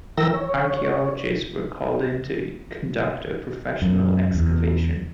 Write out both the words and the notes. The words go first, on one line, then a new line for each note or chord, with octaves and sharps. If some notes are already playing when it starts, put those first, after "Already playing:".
Archeologists were called in to conduct a professional excavation.
E3 A#4 G5 E6 A#6
C#5
F#2
E2